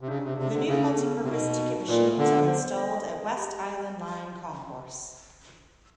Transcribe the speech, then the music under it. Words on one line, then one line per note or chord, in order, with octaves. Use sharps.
The new multi-purpose ticket machines are installed at West Island Line concourse.
C3
C#3 D4
C3
C3 D4
D3
C#3 A4
B3
C3
B2 D#4
B4
A#2 B4
D3 B3
C5
D#5
D#5
G4